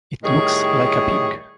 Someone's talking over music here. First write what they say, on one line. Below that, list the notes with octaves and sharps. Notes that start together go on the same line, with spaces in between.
It looks like a pig.
A2 D#3 G3 G#4 C#5